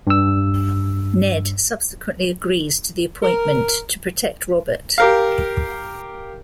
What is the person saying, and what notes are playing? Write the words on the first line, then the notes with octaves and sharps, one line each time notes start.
Ned subsequently agrees to the appointment to protect Robert.
G2 E6
A#4
G4 A#4 F5